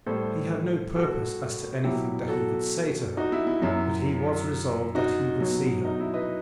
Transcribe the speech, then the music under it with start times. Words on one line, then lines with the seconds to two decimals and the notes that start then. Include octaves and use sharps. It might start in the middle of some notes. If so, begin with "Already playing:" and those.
He had no purpose as to anything that he would say to her, but he was resolved that he would see her.
0.06 A2 G3 A4 C5
0.95 F#4 A4
1.84 B2 F#3 E4 G4
2.28 F#4 A4
3.17 D#4 F#4
3.32 E4
3.47 E4
3.62 F#2 F#3 E4
4.95 D#4 F#4
5.41 B2 F#3
5.85 D#4
6.00 E4
6.14 B4 D#5